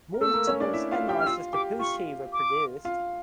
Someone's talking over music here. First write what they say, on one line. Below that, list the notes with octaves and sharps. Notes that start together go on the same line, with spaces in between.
Multiple spin-offs of the Poo-Chi were produced.
A#4
A3 A4 E6
A#3 A#4
C#4 C#5
D4 D5
E4 E5
F4 F5
G4 G5
F6
F4 F5 E6
G4 G5 D6
F4 F5 C#6
D6
F4 F5